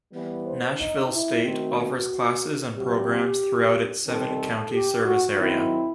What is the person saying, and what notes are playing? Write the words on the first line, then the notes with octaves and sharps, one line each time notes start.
Nashville State offers classes and programs throughout its seven county service area.
E3 G3 B3
C5
D#4
E4
D#3 A3 C4 F#4
C3 F#3 C4 G4
D#3 G3 C4 A4
G4
F#4
D#3 F#3 C4 E4